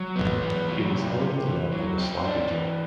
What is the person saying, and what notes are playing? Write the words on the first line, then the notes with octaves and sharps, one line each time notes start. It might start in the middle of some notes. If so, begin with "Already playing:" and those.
It is held in the lap like a slide guitar.
Already playing: F#3
B3
E3
F#3
C3
C3
E3
F#3
C4
D4
E3